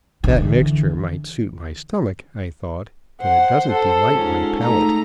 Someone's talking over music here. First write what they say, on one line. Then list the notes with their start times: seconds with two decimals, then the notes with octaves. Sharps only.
That mixture might suit my stomach, I thought, but it doesn't delight my palate.
0.24 D3 E3
3.21 C5 F#5
3.69 A4
4.11 G#2 C#4 F4
4.62 A3 D#4 A#5